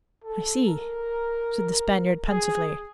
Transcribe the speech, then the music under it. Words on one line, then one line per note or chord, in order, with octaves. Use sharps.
"I see," said the Spaniard pensively.
A4
A#4
G#4